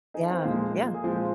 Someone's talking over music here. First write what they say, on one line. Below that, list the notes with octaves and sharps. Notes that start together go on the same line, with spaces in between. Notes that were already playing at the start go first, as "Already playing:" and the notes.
Yeah. Yeah.
D#4 G#4
C4 F4
A#2 F3 G#3 A#3 D#4
G#4
A#2 F3 G#3 C4 F4